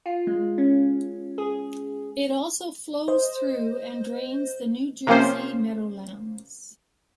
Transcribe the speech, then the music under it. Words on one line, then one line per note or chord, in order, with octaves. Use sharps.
It also flows through and drains the New Jersey Meadowlands.
F4
G#3
C#4
G#4
C5 D#5
C3 F3 A#3 C#4 C5